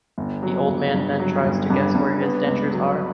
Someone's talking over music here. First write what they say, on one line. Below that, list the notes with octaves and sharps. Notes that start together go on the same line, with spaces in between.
The old man then tries to guess where his dentures are.
G1
F#3
G1
G2
F#3
G1
G2
G2
B3
C#2
F#3